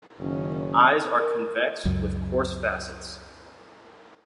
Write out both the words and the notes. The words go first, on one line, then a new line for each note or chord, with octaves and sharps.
Eyes are convex with coarse facets.
F#1 D#3 C#4
A#4
C#2 F#2